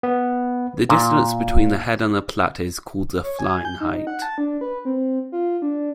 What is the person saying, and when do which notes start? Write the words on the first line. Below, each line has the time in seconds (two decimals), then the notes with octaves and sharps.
The distance between the head and platter is called the flying height.
0.03 B3
0.89 A#2
3.23 C#5
3.39 G#5
3.65 G6
3.81 D#4
4.07 F#5
4.22 A5
4.38 D4
4.61 B4
4.85 C4
5.32 F4
5.62 D4